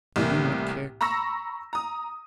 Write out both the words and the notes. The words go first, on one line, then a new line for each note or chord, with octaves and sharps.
We do not care.
C2 A2 E3 A#3
A#5 B5 C#6 E6 A#6
A#5 D#6